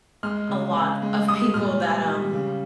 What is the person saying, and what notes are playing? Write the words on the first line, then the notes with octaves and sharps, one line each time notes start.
a lot of people that, um,
G#3 F6
C#3
C#3
G#3
G3 D#6
A#2 F6
G3
G3
C#3